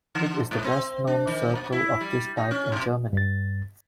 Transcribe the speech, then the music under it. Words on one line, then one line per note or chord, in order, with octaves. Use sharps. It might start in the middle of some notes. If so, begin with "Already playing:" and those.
It is the best known circle of this type in Germany.
D3
G#2
C4
D4
D#3
A#2
E4
G3
D#4
C#4
B2
G2 A6